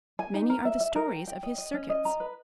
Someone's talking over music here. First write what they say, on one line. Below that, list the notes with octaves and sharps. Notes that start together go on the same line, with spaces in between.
Many are the stories of his circuits.
G#5
D#4
A#4
E5
E5
A#4
G5
G5
D#5
D#5
C#4
D#5
A#5
B4